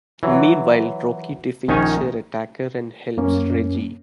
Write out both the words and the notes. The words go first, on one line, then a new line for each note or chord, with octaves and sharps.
Meanwhile, Rocky defeats her attacker and helps Reggie.
E3 F#3
A#1 D#3 C#4 D#4 C#5 G#5
F#2 A#3 C#4